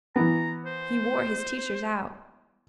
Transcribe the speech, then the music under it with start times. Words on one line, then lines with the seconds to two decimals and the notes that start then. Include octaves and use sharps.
He wore his teachers out.
0.16 E3 B3 A#5
0.66 C5